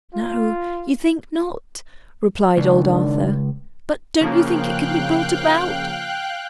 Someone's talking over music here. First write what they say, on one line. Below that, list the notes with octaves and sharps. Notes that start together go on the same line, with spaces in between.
'No, you think not?' replied old Arthur. 'But don't you think it can be brought about?
F4
C#2 D#3 D4
C#3 F3 A#3 F5 G5 F#6